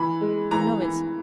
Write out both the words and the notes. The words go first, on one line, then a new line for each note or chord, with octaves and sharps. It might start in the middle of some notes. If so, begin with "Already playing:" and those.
"I know it."
Already playing: E3 B5
G#3
E3 A#5
E3